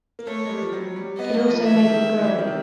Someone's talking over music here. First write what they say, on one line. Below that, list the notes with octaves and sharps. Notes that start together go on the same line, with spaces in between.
It also may be grilled.
A#3
A3 C#5
G#3
G3
F3
F#3
G3
B3 D#5
A3
F3
E3 E5
D#3
D#3
E3
D#3
C3